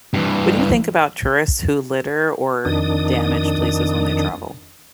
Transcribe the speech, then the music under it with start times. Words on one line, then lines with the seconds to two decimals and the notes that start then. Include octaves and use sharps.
What do you think about tourists who litter or damage places when they travel?
0.14 G2 E3
2.65 F2 D#3 D4 D#6